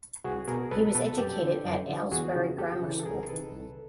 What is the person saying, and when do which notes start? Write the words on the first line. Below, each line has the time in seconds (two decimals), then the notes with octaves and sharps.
He was educated at Aylesbury Grammar School.
0.24 C2 F#4 G#4
0.48 B2 G#4 A#4
0.71 C2 A4 B4
0.95 B2 A4 B4
1.18 F#2 G4 A4
1.42 D3
1.65 F#2
1.89 D3
2.12 E2 F#4 G#4
2.35 C#3 E3
2.58 E2 G4 A4
2.82 C#3 E3
3.00 A4
3.05 C2 G#4 A#4
3.29 C3 D#3 A4 B4
3.53 C2